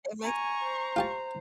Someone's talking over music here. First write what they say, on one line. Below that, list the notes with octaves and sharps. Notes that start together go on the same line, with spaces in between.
That makes
G#5 A#5 C#6
C5
F4 G4 A5